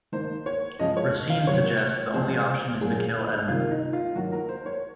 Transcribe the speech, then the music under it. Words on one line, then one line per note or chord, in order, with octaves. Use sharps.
Racine suggests the only option is to kill Edmund.
D#3 A#3 C5
C#5
C#3 F3 G#3 D#5
C#5
F5
C3 F#3 A#3 C#5
C3 F3 G#3 C5
C5
A#2 F#3 A#3 G#4
C3 D#3 A#3 F4
D#4
F4
D#3 F#3 A#3 F#4
A#4
C5
C#5